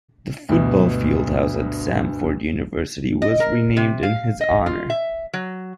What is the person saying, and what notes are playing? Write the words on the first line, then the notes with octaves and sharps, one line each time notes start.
The football field house at Samford University was renamed in his honor.
D2 G2 B2
D#5
A#4
C3
F5
D#5
F4
E5
F#3